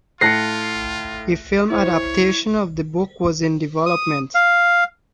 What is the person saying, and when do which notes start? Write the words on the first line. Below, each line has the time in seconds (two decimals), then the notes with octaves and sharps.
A film adaptation of the book was in development.
0.21 A2 F4 A5 F#6 A#6 C7 C#7
1.70 E4 C5 C#5
3.86 D#6
4.35 F5